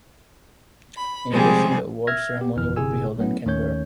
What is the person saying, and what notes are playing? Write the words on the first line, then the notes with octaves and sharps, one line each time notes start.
In addition, the awards ceremony would be held in Canberra.
B5
C3 F3 G3 G#3 C4 G#4
E5 E6 F6 G#6 A#6
B3 G4
G1 F2 E3 F6
G1 C3 E4 G#4 G#5 E6
F#3 A3 B3 C#4 E4
D#2 D#3 A3 C#4 C#5 G6